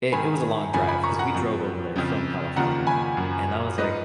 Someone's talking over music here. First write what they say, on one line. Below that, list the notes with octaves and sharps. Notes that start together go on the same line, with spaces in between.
it it was a long drive 'cause we drove over there from California, and I was like
G#2 D#3 G#5 B5
F#2 C#3 F3 G#5 B5
G#5 B5
A#5 C#6
F#5 A#5
F2 F3
F2 C#3 F3
D#2 C#3 F3 F#5 A#5
G#5 B5
F#2 F3
G#2 F3 B4 D#5